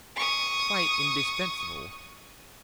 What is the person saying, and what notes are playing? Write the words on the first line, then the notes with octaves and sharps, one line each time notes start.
"Quite indispensable."
C#6 D#6